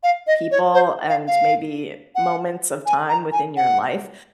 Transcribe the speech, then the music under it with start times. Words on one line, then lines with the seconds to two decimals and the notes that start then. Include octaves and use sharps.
people and maybe moments of time within your life,
0.03 F5
0.27 D#5
0.51 C#5
0.74 C5
1.09 F5
1.27 F5
2.15 F#5
2.86 G#5
3.09 A#5
3.32 G#5
3.57 F#5